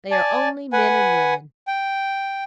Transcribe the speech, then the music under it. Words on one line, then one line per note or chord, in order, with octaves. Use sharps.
They are only men and women.
D5 G#5 A5
B4 F#5 G#5
G5